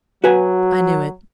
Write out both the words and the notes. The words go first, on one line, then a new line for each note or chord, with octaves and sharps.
"I knew it."
F#3 F#4 B4 G#5